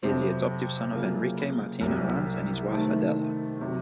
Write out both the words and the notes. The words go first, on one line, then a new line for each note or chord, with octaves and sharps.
He is the adoptive son of Enrique Martin Arranz and his wife Adela.
F2 C3 F#3 C4
C#3 F#3 A#3 F4
C2 C3 F#3
C3 D#3 A3 C4
C3 F#3